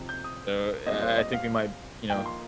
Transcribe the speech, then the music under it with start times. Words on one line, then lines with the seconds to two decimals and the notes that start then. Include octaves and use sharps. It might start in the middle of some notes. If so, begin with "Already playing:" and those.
so I I think we might, you know,
Already playing: C3 F3 C4 D#4
0.09 G6
0.24 D#6
0.86 A#2 G3 C4 D#5
1.02 C5
1.18 D#5
1.33 F5
2.10 F3 A#3 D#4 G5
2.26 C6